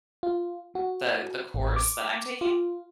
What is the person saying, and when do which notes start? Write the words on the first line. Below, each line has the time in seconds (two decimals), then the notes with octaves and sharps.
m the the course that I'm taking,
0.23 F4
0.75 F#4
1.54 A1
1.76 D6
2.41 F4